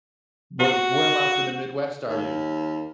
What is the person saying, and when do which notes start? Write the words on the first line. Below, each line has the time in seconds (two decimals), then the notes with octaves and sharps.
but whereabouts in the Midwest are you?
0.60 F#4
2.09 D#2